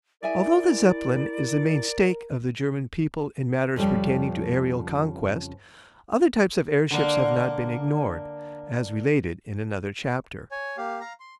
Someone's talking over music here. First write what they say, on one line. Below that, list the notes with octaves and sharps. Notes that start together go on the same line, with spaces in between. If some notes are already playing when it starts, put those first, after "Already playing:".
Although the Zeppelin is the main stake of the German people in matters pertaining to aerial conquest, other types of airships have not been ignored, as related in another chapter.
E4 G#4 A#4 D5 E5 G#5
F2 C#3 F3 G3
D3 A#3
C#5 G#5
A#3 G4 F5
F5 A#5
C6